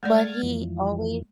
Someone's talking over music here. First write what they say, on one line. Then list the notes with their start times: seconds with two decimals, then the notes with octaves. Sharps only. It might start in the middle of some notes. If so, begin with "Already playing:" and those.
But he always
0.03 G#3 A3 D5 F6 G#6 A6
0.43 F2 E3 F3